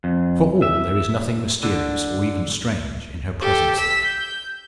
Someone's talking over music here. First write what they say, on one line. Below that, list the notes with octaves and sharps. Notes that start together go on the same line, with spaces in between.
For all there is nothing mysterious, or even strange in her presence there.
F2
E5
D3
G4 A4
E6 B6
G6